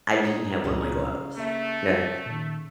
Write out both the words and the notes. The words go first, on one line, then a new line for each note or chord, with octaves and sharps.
I didn't have one of my gloves. 'Kay?
D4 D#4 G#4
C#2 A#2 C#3 D#4
A3 A#3 E5
A#4
A#2 D#3